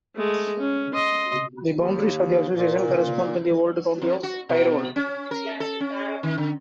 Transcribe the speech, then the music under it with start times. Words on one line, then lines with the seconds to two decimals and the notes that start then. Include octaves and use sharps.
The boundaries of the association correspond to the old County of Tyrol.
0.16 G#3 A3
0.59 C#4
0.94 D#5 C6
1.75 D#2
2.55 A#2
4.02 F2
4.23 F#4
4.49 B2
4.96 C#4
5.31 A#4
5.60 A4
5.80 C#4
6.23 D#3
6.37 D3